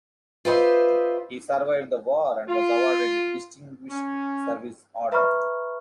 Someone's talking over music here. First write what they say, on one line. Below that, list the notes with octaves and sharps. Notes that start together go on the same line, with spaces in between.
He survived the war and was awarded a Distinguished Service Order.
F4 G4 B4 C5 D#5 E5
F4
C#4
B4 E5 A#5 B5 C#6 F6